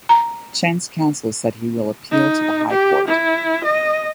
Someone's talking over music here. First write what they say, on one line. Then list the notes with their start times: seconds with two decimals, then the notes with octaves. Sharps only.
Chen's counsel said he will appeal to the High Court.
0.09 A#5
2.11 D#4
2.71 G4
3.08 E4
3.64 D#5